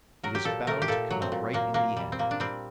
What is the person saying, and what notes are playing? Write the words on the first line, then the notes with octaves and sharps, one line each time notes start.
"It is bound to come out right in the end."
F#3 A#4
G4
A#2 A4
A3 A#4
G4
A#2 A4
F#3
C4
A#2
A#2 A#3
A#2 A#3
G3
C4
A#2 A#3
D4
G3 C4